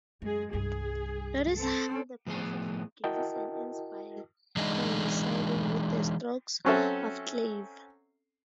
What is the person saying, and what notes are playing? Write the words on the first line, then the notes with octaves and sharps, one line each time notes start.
Notice how the passage begins and ends by coinciding with the strokes of clave.
F#2 G#3 G#4
C2 G2 G#4
C4 A4
A2 F3 B3 G#4 G#5
E4 F#4 A#4 D#5 G5 A5
E3 G#3 D4 D#4 G#4 D#5
F#3 C4 C#4 F#4 A4 E5